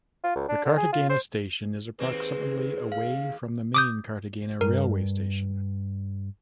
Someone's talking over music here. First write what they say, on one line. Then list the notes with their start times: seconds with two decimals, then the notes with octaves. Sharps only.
The Cartagena station is approximately away from the main Cartagena railway station.
0.24 F4
0.35 C#2
0.49 D4
0.65 D3
0.77 G#4
0.93 F4
1.10 C5
1.99 D#2 G#3 C4 B4
2.92 F5
3.74 D6 D#6 G6
4.61 G2 A#4